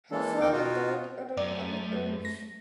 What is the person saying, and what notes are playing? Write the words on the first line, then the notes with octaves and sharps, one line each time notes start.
Her father died at an early age.
E3 G#3 A#3 A4
E2 D#3 C4 A#4 G5 D6
B2 D#4 F4 F#4
F#2 A3 D5
A#6